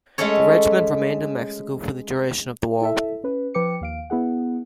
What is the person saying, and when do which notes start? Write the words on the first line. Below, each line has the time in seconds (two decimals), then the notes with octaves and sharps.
The regiment remained in Mexico for the duration of the war.
0.18 G#3 A3 C#4 A4 C#5
2.81 E4 A4 E5
3.24 C#4 B4
3.54 F3 B4 G5 D6 C#7
3.81 D#2 F5 D7
4.10 B3 E4 G#4 F#5